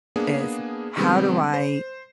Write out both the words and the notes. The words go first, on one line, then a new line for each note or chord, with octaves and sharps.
is how do I
A#3 B3 D4 G#4
C3 D#3 G3 G#3 B3 C4
C5